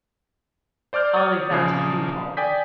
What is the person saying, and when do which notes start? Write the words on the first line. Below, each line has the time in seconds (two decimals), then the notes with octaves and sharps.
"I'll leave that to you, Polly."
0.93 C5 D5 D6 F6 G6
1.16 C#5 D#6 A6
1.50 A#1 C#3 F3 D#6 C7
2.37 D5 G5 G#5 D#6 G6 B6